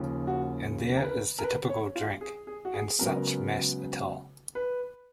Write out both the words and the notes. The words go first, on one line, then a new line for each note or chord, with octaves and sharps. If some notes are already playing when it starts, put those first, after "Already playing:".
And there is the typical drink and Such mass Atol.
Already playing: D#2 C#3 F3
F#4
A#4
B4
A#4
B4
C#5
F4
G#4
G#4
F#4
G#4
C#2 C#3 F#3 B3 A#4
B4